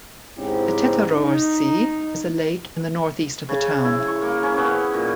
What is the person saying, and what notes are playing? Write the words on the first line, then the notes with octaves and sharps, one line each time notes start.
The Teterower See is a lake in the north-east of the town.
G#2 C#3 C4 C#4 E4 G4
D#4
C#3
E4
C#6
A#3
C#4
B3
A#2